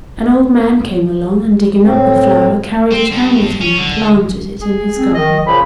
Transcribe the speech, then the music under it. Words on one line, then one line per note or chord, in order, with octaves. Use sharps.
An old man came along, and digging up the flower carried it home with him and planted it in his garden.
A2 C4
C4
G2
C#4
D3
G#4
C4
D#3 D#5
A#2 C#3 F3 B5